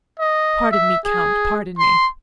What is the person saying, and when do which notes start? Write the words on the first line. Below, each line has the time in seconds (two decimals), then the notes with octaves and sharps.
"Pardon me, count, pardon me."
0.19 D#5
0.71 E5
1.05 G#4
1.79 C6